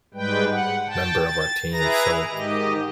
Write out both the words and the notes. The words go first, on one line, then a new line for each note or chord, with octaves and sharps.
member of our team, so,
G#2 G3 G#3 B4 G5
F#5
G5 A5
A6
E4 G#4 B4 A#5 A#6
G#2 D#3 G4 D#5